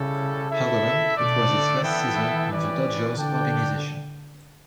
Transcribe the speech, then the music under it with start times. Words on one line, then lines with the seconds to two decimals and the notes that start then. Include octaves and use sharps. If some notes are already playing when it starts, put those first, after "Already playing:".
However, it was his last season in the Dodgers organization.
Already playing: C#3 G3 C#4 E4 A4
0.49 E4 A4 E5
1.16 B2 A3 D4 A4 D5
1.50 D3
1.83 E3 B3 E4 A4 E5 G5
2.50 C#4 G4 B4 D5
3.16 D3 D4 A4 D5 G5